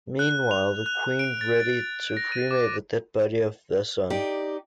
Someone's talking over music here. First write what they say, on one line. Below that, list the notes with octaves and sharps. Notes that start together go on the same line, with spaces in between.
Meanwhile, the queen readied to cremate the dead body of their son.
F#6
F7
F#6
D7
A6
A6
A#6
D#7
D6
D#4 G4 D5